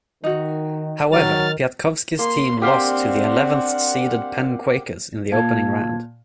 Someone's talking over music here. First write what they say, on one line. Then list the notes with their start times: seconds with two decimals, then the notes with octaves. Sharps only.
However Piatkowski's team lost to the eleventh seeded Penn Quakers in the opening round.
0.24 D#3 D#4 F#4
1.12 D#3 F#3 F6 A6
2.19 A#3 C6
2.62 C4 D4 G4 F5 F#5 C6
5.32 A#2 F5 A5 G#6